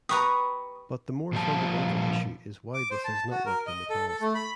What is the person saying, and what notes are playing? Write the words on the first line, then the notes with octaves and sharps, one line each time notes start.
But the more fundamental issue is why this has not worked in the past.
G4 B4 A#5 C#6 D#6
A#2 F3 G3 F4 A5
D6
C5
A5
F#4
A#4
D#5
A4
A4
A3
B5